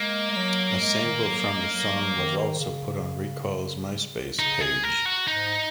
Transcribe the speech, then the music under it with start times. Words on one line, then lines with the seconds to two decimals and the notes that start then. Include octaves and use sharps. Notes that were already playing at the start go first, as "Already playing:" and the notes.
A sample from the song was also put on Recoil's MySpace page.
Already playing: G#3 A#3
0.30 G#3
0.36 F#3
0.81 G#3
1.03 D#3
1.26 F#3
1.47 G#3
1.70 F#3
2.15 D#3
2.60 C#3
4.39 C#3 D#4
4.60 G#4
4.83 A#4
5.06 F#4
5.27 G#2 D#4